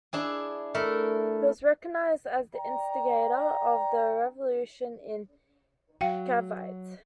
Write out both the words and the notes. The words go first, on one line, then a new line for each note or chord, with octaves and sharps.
He was recognized as the instigator of the revolution in Cavite.
D4 E4 G#4
A3 E4 A#4
D5 G5 A#5
F#3 F#4 F5 G5